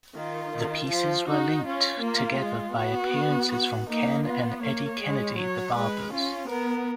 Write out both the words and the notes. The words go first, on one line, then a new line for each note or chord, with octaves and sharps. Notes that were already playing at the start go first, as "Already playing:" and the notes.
The pieces were linked together by appearances from Ken and Eddie Kennedy The Barbers.
D#3 F4
D#3
F3 F4
D#4 F#4
C#4 F4
A#3 F4
G#3
B3 F#4
F#4
A#3 D#4
B3 F4
A#3 C#5
G#3
F#3 C#5
G#3 B4
C#4 F4
B3 A#4